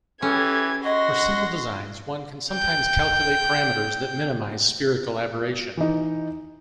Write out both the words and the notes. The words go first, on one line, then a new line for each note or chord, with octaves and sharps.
For simple designs one can sometimes calculate parameters that minimize spherical aberration.
E3 C#4 G4 A4 G#6
F#4 D#5 C6 A#6
G5 G6
E3 D#4